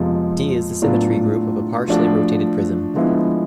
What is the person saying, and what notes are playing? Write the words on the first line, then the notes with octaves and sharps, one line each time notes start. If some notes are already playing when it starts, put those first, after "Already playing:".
"D" is the symmetry group of a partially rotated prism.
Already playing: F2 C3 F3 G#3 B3
A2 F#3 B3 D4 F4
F3 A3 D4 F#4
D3 F3 G#3 B3 E4